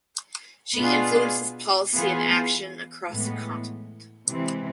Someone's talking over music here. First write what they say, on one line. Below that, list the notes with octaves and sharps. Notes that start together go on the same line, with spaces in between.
She influences policy and action across the continent.
B2 B3 D4 F4 G#4
E3 B3 F4 G#4
A2 E3 G#3 B3
C3 E3 G#3 C4